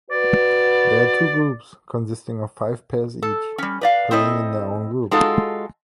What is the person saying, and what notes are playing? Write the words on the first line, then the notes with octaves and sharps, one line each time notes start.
There are two groups consisting of five pairs each playing in their own group.
F#4 B4 D5
A4
G3 C#4
B4 D5 F5
C4 E4 A4 D#5
G#3 D#4 F4 F#4 A4